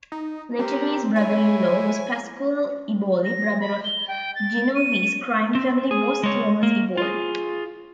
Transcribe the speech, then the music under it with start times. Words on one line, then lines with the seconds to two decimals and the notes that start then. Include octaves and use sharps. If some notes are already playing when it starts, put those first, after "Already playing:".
Lettieri's brother-in-law was Pasquale Eboli, brother of Genovese crime family boss Thomas Eboli.
0.12 D#4
0.59 C4 G4 A#4
1.16 E4 C#5 G#5
3.25 A#6
3.61 B5
3.84 G7
4.08 G5
4.35 A6
4.75 D#7
5.55 C4
5.91 G#4
6.23 G#3 C#5
6.63 A#3
6.97 F4 G#4